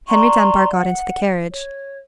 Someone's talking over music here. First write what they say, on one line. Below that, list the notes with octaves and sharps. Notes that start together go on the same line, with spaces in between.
Henry Dunbar got into the carriage.
D5 A#5 C6 C#6
F#5
C#5